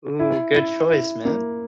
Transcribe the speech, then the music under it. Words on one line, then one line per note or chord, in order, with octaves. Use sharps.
Ooh, good choice, man.
E4
E4
E4
A#3